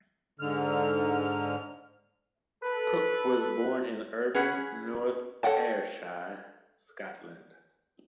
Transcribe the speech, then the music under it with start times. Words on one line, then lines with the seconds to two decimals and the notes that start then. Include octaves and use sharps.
Cook was born in Irvine, North Ayrshire, Scotland.
0.40 G#2 D3 F6
2.63 A4 B4
4.35 C#4 G#4 B4 F#5
5.43 A4 C#5 F#5 G5 A5